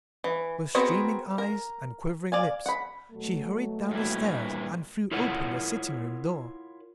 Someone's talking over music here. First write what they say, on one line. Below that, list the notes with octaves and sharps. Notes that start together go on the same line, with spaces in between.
With streaming eyes and quivering lips she hurried down the stairs and threw open the sitting-room door.
E3
B3 C4 F#4 G#4 A#4
A#4
D5 F5 G#5
F#5 B5
B2 F#3 A3
G2 A#2 E4
E4 F4 A#4 C#5 F#5